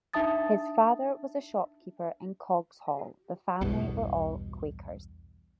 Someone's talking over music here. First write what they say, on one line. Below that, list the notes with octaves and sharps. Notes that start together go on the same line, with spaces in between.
His father was a shopkeeper in Coggeshall; the family were all Quakers.
D4 D#4 E5 A5 D#6 A6
B1 E2 G2 B2